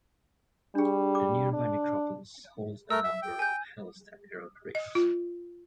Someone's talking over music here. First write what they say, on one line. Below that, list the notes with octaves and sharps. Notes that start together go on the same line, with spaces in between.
The nearby necropolis holds a number of Hallstatt era graves.
G3 D4 G#4
D6
D4
A3 A#4 E6
E5
G5
G#5 G6
D#5
F4